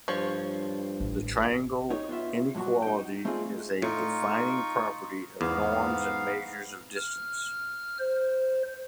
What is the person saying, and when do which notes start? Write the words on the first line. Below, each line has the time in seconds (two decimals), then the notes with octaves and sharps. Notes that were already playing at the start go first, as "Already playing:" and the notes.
The triangle inequality is a "defining property" of norms and measures of distance.
0.08 G2 F3 C#5
1.00 A1
1.90 D#4 G4 C#5
2.09 B3 F4 E5
2.55 G2 A#2 F#3 F#4
2.82 D#4 G5
3.25 A3 C4 D4 D#4 F4 G#4
3.82 A2 D#4 F4 C#6
5.41 E2 G#2 B3 F5
6.96 F6
7.99 C5